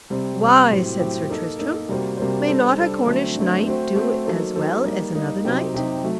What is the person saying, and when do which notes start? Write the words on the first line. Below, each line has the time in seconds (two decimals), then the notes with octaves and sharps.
Why, said Sir Tristram, may not a Cornish knight do as well as another knight?
0.10 C3 G3 C4
0.40 C3 G3 C4
0.70 A2 F#3 C4 G4
0.99 A2 F#3 C4 G4
1.29 A#3 D#4 A4
1.59 A#3 D#4 A4
1.88 C3 G3 A#3 F#4 C5
2.17 C3 G3 A#3 F#4 C5
2.48 G3 D4 A4 C5
2.77 G3 D4 A4 C5
3.06 D3 F#3 A3 C4
3.36 D3 F#3 A3 C4
3.66 A3 C4 F#4 C5
3.95 A3 C4 F#4 C5
4.26 F#3 A#3 D#4 A4 C5
4.55 F#3 A#3 D#4 A4 C5
4.85 G3 A#3 D#4
5.15 G3 A#3 D#4
5.45 C3 F#3 C4 D#4 G4
5.74 C3 F#3 C4 D#4 G4
6.04 F#3 A3